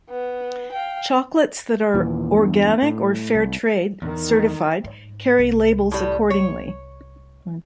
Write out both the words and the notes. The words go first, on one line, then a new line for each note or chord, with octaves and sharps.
Chocolates that are organic or fair trade certified carry labels accordingly.
B3
F5 G5
D#2 A#2 E3
E2 G2
A2
C2
E2 D#3
G#2
C2
A2 G3
C#5